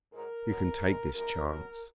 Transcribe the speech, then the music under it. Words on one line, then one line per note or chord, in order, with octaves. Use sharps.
You can take this chance.
G#2 F#3 A#4
B2 F#3
A#2 G#3
F#2 F3 G#3 A#4
B2 F#3 A#4